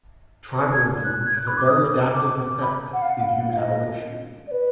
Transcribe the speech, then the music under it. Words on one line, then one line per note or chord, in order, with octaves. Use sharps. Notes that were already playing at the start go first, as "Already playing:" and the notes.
Tribalism has a very adaptive effect in human evolution.
G#6
F#6
G#6
F#6
B5
D6
D#6
D6
B5
F#5
F5
F#5
F5
F5
D#5
D5
B4